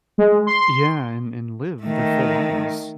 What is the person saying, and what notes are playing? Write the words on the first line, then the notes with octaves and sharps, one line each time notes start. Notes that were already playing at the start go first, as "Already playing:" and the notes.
Yeah, and and live their full lives.
G#3
C6
D#3 A3